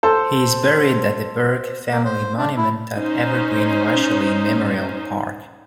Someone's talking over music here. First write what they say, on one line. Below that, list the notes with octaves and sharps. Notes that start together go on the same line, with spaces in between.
He is buried at the Burke family monument at Evergreen Washelli Memorial Park.
A4 C5
A#3
C5
D4
E4
C#4 D#4 C5